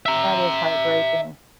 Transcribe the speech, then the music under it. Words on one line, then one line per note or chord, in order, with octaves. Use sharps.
That is heartbreaking.
E5 A#5